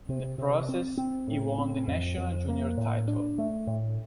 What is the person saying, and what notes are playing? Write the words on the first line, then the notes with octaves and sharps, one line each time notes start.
In the process he won the national junior title.
C3
C3
C4
C4
A2
C4
F2
F2
A#3
A2
D4
A3
A2